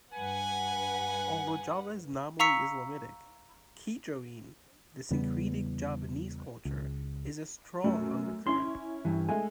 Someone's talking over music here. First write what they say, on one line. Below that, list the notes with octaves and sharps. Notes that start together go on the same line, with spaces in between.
Although Java is nominally Islamitic, "kejawen", the syncretic Javanese culture, is a strong undercurrent.
G2 B4 F#5 G#5
F5 A#5 C#6 E6 B6 C#7
E2 C#3 G3 B3
C#2
F#2 A3
C#4 E4 C6
G2 E3
G#3 A3 G#5